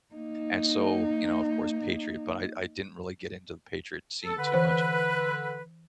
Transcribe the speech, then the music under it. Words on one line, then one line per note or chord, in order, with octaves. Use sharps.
and so, you know, of course, Patriot, but I I didn't really get into Patriot scene too much.
A#3 D#4
A4
D3 B4
E3 C5